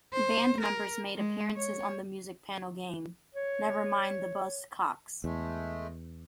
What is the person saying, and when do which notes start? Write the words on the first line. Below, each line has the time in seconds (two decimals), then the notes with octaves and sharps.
Band members made appearances on the music panel game, "Never Mind the Buzzcocks".
0.13 C5
0.61 A#4
1.17 G#3
1.57 C#5
3.35 C#5
5.24 E2 G#3 A3